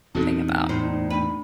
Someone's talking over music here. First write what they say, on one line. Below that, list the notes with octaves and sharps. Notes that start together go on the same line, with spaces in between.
thing about
E2 G2 A#2 C4 D#4 F#4 A4
D2 A2 C5
A3 D4 B4